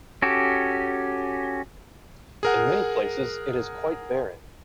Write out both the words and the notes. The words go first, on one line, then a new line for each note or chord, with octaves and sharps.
In many places it is quite barren.
C#4 F#4 G4 A4
G#4 A#4 F#5